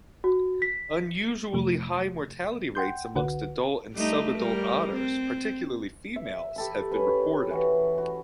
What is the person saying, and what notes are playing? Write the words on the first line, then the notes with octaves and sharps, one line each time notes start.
Unusually high mortality rates amongst adult and subadult otters, particularly females, have been reported.
F#4
B6
F2 C3 F3 A3
F#5 G5 C6 G6
G1 C2 D3 F#4 B4 F#5
G3 A3 D#4
G3 A#4
C4
E5
G4 A4 B5
C#4 B4
E3 F#4
F#4